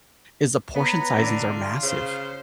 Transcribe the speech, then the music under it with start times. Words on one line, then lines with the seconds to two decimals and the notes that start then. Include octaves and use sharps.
is the portion sizes are massive,
0.75 B3 B4 C#5 A#5
1.15 D3
1.46 F4
1.83 C#3 C5